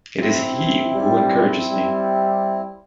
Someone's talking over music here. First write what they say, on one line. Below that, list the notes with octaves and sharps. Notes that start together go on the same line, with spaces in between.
It is he who encourages me.
C4 E4
G3
G3